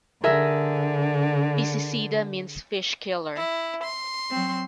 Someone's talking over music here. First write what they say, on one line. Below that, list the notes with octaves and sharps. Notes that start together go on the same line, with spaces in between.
"Piscicida" means "fish-killer".
D3 G#4 A#4 E5
E4
C6
F#3 C4